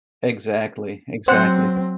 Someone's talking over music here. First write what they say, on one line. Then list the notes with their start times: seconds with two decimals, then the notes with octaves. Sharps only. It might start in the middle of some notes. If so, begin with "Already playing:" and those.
Exactly, exactly.
1.28 F#3 C4 C5 F#5